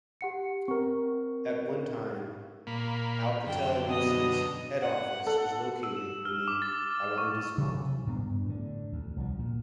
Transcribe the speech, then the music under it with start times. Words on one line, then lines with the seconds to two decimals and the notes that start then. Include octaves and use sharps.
At one time Alcatel-Lucent's head office was located in the arrondissement.
0.21 G4 F#5 C#7
0.68 C4 A#4 C#6
2.67 A#2 A#3 B5
3.47 F#2 D3 G5
3.89 B2 D#5 D#6
4.81 F#5
5.27 A4
5.83 E6
5.97 E7
6.25 F6
6.48 D6
6.62 A6
6.73 F6
6.91 F6
7.18 C#6
7.58 C3 E3 F#3
8.07 G2 B3 D4
8.46 A2 D3
8.92 D2
9.17 C2 F3
9.39 A#2